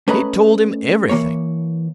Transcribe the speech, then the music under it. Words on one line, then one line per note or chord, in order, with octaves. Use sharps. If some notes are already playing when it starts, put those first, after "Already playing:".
He told him everything.
A3 C#4 B4 D#5 A#5 B5
E3 A#3 C#5